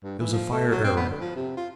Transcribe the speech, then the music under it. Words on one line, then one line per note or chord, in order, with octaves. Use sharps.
It was a fire-arrow.
G2
E3
F3
A3
F#3
C4
B3
D3
F3
C3
F4